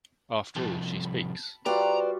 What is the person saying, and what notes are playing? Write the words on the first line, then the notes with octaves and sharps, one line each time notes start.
After all she speaks!
C2 F2 A5
B5
G3 F4 F#4 B4 C5 D5 A#5